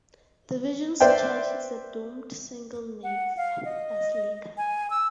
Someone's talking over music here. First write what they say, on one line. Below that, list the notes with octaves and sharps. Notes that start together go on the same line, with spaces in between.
The Virgin's Church is a domed single-nave basilica.
B4 C5 D5 E5 G5
F#5
F5
D#5
G#5
E6